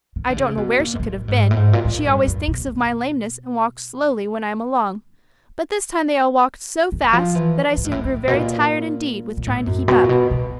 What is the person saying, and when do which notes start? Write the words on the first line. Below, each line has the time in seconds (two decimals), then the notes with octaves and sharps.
I don't know where she could have been; she always thinks of my lameness, and walks slowly when I am along, but this time they all walked so fast that I soon grew very tired, indeed, with trying to keep up.
0.16 D#3
0.30 D3
0.37 C#3
0.57 B2
0.80 A#2
0.95 G#2
1.00 A2
1.28 G#2
1.51 A2
1.57 G#2
1.73 A#2
1.85 A2
2.06 G2
2.27 F#2
2.48 B2
6.92 D#3
7.13 F3
7.35 E3
7.77 A2
7.84 G#2
7.92 A2
8.05 A2
8.28 B2
8.33 A#2
9.37 A#2
9.47 A2
9.67 F#2
9.88 B2
10.04 A#2
10.09 B2
10.31 B2